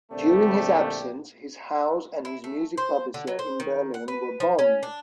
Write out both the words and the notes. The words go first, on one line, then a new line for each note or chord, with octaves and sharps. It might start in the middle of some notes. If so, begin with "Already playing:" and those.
During his absence, his house and his music publisher in Berlin were bombed.
A#1 D3 A3 A#3 C4 G4 D5
E4
A3
C5
D3
F#3
C5
D#3
F#5
B4
F3
C#4
D4